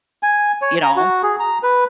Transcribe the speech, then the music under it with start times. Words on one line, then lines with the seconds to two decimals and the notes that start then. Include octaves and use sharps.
you know?
0.23 G#5
0.62 C#5
0.83 A#5
0.96 F#4
1.23 G#4
1.40 A#5
1.63 B4